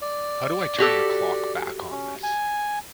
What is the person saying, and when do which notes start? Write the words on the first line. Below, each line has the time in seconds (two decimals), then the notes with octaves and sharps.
How do I turn the clock back on this?
0.02 D5
0.78 F#4 G4 A4
1.91 C#4
2.23 G#5